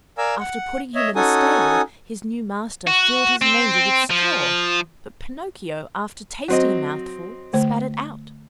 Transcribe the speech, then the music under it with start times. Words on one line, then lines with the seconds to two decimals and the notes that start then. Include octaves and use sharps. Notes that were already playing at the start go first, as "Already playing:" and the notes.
After putting him in a stable, his new master filled his manger with straw, but Pinocchio, after tasting a mouthful, spat it out.
0.18 A#4 D5 F5 G#5 A#5 E6
0.40 F#5
0.95 C#5 D#5 E5
1.15 C#4 D#4 F#4 A4 G#5 D#6
2.87 F#4
3.41 C4
4.10 F3
6.48 F#3 C4 D#5
7.53 D3 A3 C5